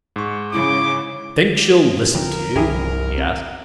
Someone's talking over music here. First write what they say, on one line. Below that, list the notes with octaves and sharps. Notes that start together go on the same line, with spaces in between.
"Think she'll listen to you?" he asked.
G#2 C#6
C#3 E4 D6
F2 D3 E3 A#4
C2 G2 F3 E4 G4 G#4
C4